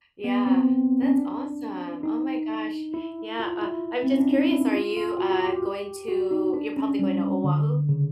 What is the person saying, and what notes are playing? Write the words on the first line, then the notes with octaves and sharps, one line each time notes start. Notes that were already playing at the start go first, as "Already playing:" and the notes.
yeah, that's awesome, oh my gosh, yeah, uh, I'm just curious, are you, uh, going to You're probably going to Oahu,
B3
C4
C#4
D4
D#4
E4
F4
E4
C4
C#4
D4
D#4
E4
F4
F4
F#4
G4
G4
G4
F#4
D#4
D4
C#4
G3
D3
C#3